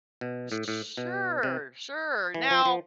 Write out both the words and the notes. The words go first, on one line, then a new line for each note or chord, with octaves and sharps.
S sure, sure, now,
B2
A2
A2
B2
C3
E3
F3
F3